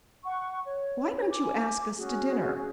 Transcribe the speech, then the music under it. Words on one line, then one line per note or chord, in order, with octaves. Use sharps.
Why don't you ask us to dinner?
F#5 C#6
C#5
C#5
G#5 D6
C#4 F#4 G#4